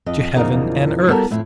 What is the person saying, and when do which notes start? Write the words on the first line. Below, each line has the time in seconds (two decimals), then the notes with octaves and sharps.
To Heaven and Earth.
0.06 F2 D#5
0.36 E2 A#2 C#3 F3 A#3 D#4
1.07 G3 B3 F#4 A4 A#4
1.30 F2 A2 E4